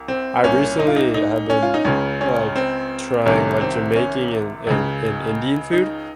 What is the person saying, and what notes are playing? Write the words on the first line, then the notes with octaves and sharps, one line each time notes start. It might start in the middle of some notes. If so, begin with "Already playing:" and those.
I recently have been, like, trying, like, Jamaican and and and Indian food,
Already playing: C2
C4
C2 A#2 C#4
D#4
F4
D#4
D#4
C#4
F4
D#4
C#2 C#3 C#4
C#4
C4
C2 C3 D#3 C#4
C4
C#4
C#2 C#3
D#4